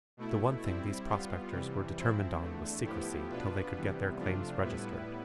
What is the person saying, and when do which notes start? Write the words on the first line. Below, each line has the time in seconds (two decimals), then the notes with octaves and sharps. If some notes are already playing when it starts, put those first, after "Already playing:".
The one thing these prospectors were determined on was secrecy till they could get their claims registered.
0.17 B2 A3 E4
0.62 G3 C4 E4
1.07 G3 B3 F4
1.52 C3 E3 G3
1.96 F3 C4 E4
2.40 E2 D3 A3
2.85 A2 F3 B3 E4 G4
3.29 B2 B3 D4 F4 B4
3.74 C3 E3 G3 B3
4.18 C3 F3 A3 D4 F4
4.63 A2 G3 B3 E4 B4